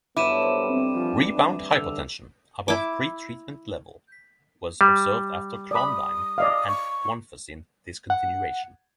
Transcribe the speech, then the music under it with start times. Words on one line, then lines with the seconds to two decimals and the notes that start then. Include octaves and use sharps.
Rebound hypertension, above pre-treatment level, was observed after clonidine, and guanfacine discontinuation.
0.17 G2 F#3 B3 E4 A4 D6 D#7 E7
0.62 G3
0.94 E3 F3
1.34 D4
1.70 D3 E6 F7
2.68 E4 D6
4.81 G3
5.71 D5 B5 D#6
6.38 D5 D#5 F5
6.68 C#6
8.10 F#5